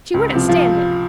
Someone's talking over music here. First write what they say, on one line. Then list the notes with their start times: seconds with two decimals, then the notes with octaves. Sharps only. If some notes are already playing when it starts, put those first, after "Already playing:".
She wouldn't stand it.
0.14 C#2
0.32 C3 F3
0.49 F3 F4